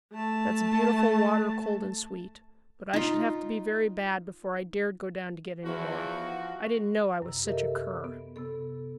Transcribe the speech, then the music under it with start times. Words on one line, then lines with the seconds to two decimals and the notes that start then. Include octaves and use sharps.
"That's beautiful water, cold and sweet; but I should have to be very bad before I dared go down to get any more. I didn't know I was such a cur."
0.12 A3 A5
2.93 D#4 F4
5.65 E2 F3 F#4
7.22 F#2 C3
7.45 G4 A4 A#4 D#5 E5
8.04 B3
8.36 C3 B3 A4